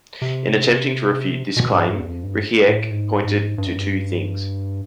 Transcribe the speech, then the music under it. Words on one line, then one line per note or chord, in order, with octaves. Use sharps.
In attempting to refute this claim, Ricicek pointed to two things.
C3
B2
G2
G2
E2
F2
G2
A2
G#2
G#2
G2
F#2
G2